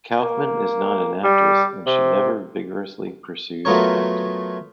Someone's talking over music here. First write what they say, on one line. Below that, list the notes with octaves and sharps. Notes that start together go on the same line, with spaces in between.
Kaufman is not an actress and she never vigorously pursued acting.
A#3
G3
C3
F#3 A3 B3 F4 A#4 C#5